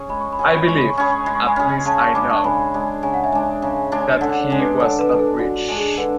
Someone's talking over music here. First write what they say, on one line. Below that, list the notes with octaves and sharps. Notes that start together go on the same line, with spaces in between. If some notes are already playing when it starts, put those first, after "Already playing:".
I believe — at least I know — that he was not rich.
Already playing: C#4 G#4
G#3 B5
C#6
B5
C#4 G#4 C#6
B5
G#3 C#6
B5
C#6
C#4 G#4 B5
C#6
G#3 B5
C#6
G#5 B5
C#4 G#4
C#3 A5 C#6
A5 C#6
G#3 D4 B5 D6
A5 C#6
C#3 G#5 B5
G#3 D4
C#3 G#5
F#5
E5 G#5
G#3 D4
C#3
G#3 D4
D3 D5 F#5
C#5
G#3 D4
B4 D5
D3 C#5
B4
G#3 D4 B4
A4
D3 F#4
F#4
G#3 D4
G#4
D3 B4